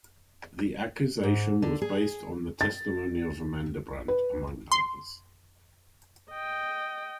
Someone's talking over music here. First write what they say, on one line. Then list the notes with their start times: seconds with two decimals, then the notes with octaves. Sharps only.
The accusation was based on the testimony of Amanda Brandt among others.
1.23 G#2
1.62 D3
1.82 G#4
2.61 A6
4.08 B4
4.72 C6
6.31 D#5 G5